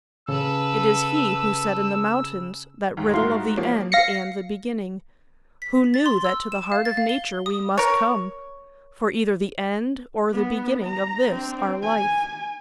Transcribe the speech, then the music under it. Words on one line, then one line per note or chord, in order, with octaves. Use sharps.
It is he who said in the mountains that riddle of the end and the beginning--who knew that to the heart of nature we must come, for either the end or the beginning of this, our life.
C#3 A4 B4 E6
D#2 G#2
G#2 E4 F#4 F5 C6
F3 A#3 G4 C#5
F5 A#6 C7 C#7
B6
A6
C6
E6
E7
F5
A6
F5
G7
D#6
A#4 C#5
B3
A#5
C4 D4
G#5